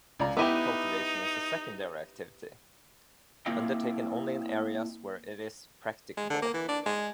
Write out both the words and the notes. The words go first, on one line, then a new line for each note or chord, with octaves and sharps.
Crop cultivation is a secondary activity, undertaken only in areas where it is practicable.
C#2 D5 A#5
B3 D#4 E4 G4 E5 D6 D#7
A#3 C4 E4 D#5 F5 G5
G#3
D3
A#3
E3
D4
G#3